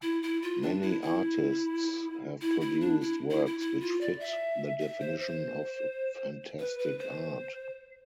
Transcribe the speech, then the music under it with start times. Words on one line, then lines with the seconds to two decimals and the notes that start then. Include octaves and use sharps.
Many artists have produced works which fit the definition of fantastic art.
0.02 E4
0.22 E4
0.42 F4
0.62 D4
0.82 E4
1.02 E4
2.41 E4
2.61 E4
2.81 D4
3.01 E4
3.30 E4
3.46 E4
3.60 E4
3.81 F4
4.01 D5
4.20 E5
4.80 E5
5.00 C5
5.20 C5
6.59 B4
6.79 B4
6.99 C5